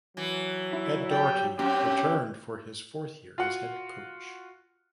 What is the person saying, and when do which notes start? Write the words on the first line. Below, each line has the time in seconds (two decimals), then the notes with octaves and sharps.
Ed Doherty returned for his fourth year as head coach.
0.17 E3 F#3
0.73 E4
1.11 G4 D5 G5
1.59 F#2 C4 C#4 G4
3.38 F4 F#4 F#5